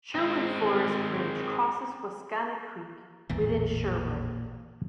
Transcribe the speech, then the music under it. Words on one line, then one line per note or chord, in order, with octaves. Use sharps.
Sherwood Forest Bridge crosses Wascana Creek within Sherwood.
G#3 C4
A1 E2 A#2 E3